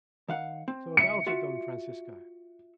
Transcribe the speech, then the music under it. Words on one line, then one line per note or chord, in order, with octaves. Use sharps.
So about it, Don Francisco.
D#3 F5 F#5
C4
C#2 E5 C#7
F4 F#4 E5